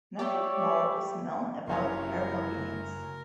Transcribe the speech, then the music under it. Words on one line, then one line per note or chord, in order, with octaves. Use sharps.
Nothing more is known about Hermogenes.
G4 C#5 D5 E5
F#1 C3 F#3 C#4 E4 A#4 C6